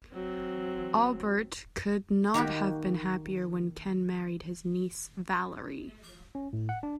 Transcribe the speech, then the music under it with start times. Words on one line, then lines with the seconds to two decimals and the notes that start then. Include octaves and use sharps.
Albert could not have been happier when Ken married his niece Valerie.
0.13 F#3 C4
2.34 D#3 A#3 F#4 G4
6.35 C#4
6.53 A2
6.69 F#5
6.83 D4